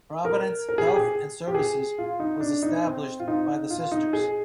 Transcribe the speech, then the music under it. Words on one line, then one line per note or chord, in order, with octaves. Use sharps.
Providence Health and Services was established by the Sisters.
A#4
A#4
G#4
G4
G#4
G4
G#4
F4
D#4
D4
D#4
C4
F4
D#4
F4
D#4
G#4